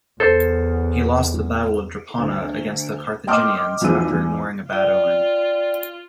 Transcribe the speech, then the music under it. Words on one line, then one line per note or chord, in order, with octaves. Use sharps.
He lost the Battle of Drepana against the Carthaginians after ignoring a bad omen.
E2 A4 C5
D2
D#5 G5 C6 D6 F6
B1 E2 F3 G#3 E6 D#7
E2
F4 D5 G5